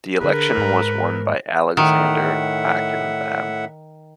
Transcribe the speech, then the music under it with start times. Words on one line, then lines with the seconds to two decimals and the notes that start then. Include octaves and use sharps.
The election was won by Alexander Ankvab.
0.21 D3 G#4 A#4 B4
0.58 G#2 A#5
1.77 A2 D#3 E5 F#5